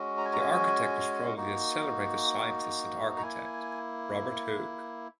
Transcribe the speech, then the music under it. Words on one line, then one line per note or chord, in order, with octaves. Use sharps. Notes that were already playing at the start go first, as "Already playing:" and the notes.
The architect was probably the celebrated scientist and architect, Robert Hooke.
Already playing: G#3 C#4 F#4
A#5
G#5
A#5
G#5
A#3 D#4 F#4
A#5
A#3 E4 G#5